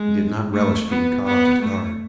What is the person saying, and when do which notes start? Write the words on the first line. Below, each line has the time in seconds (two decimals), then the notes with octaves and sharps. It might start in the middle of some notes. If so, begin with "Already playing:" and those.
He did not relish being caught off his guard.
Already playing: G#3
0.53 A3
0.89 B3
1.25 B3
1.61 A3